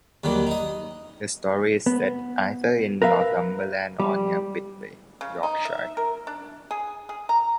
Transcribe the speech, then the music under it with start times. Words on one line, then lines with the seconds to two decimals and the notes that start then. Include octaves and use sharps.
The story is set either in Northumberland or near Whitby, Yorkshire.
0.24 D#2 D#3 F#3 G3
0.47 D#4 D#5
1.86 B3
3.02 A#4 B4 E5 F5
4.00 G3
5.21 C#3
5.43 D#4
5.65 E5
5.97 A#4
6.27 D4
6.71 G#4
7.09 G#4
7.29 A#5